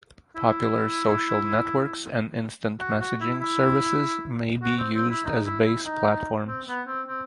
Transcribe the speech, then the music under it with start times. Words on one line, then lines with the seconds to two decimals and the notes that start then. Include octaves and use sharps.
Popular social networks and instant messaging services may be used as base platforms.
0.36 E4
2.80 F#4
3.00 F#4
3.20 E4
3.41 E4
4.63 F#4
4.78 C4
4.94 C4
5.09 E4
5.25 D#4
5.45 E4
5.65 E4
5.85 D#4
6.46 C4
6.67 B3
6.87 C4
7.08 C4